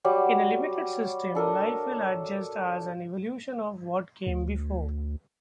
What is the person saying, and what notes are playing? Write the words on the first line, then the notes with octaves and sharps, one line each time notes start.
In a limited system life will adjust as an Evolution of what came before.
F#3 G3 D5
D4 A4 A#4 D#5
D2